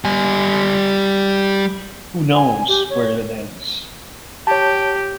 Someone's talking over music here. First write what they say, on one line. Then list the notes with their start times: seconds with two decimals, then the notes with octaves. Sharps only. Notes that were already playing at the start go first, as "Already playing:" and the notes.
Who knows where it ends?
0.05 G3 G#5
2.35 G#5
2.68 G4
2.90 C#5
4.47 G4 C#5 A5